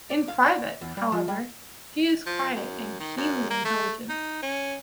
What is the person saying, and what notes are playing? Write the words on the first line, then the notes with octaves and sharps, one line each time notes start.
In private, however, he is quiet and keenly intelligent.
D5
F5
D5
E2
G3
F3
G3
F3
F#2
D#3
F#2
A#3
A3
D#4
C#4